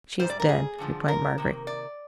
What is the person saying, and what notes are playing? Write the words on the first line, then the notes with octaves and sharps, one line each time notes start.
'She is dead,' replied Margaret.
G#2 D#3 G3 C5
D5
A#4
G#4
G2 D3 F3 G#3
A#4
C3 D#3 A#3
D5